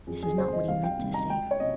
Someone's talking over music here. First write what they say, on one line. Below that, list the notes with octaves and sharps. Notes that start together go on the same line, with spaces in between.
This is not what he meant to say.
F2 G#4
G#4
C#3 G3 C5
D#5
C2 F5
G5
C3 D#3 G3
A#5
C#2 G5
C#5
C3 D#5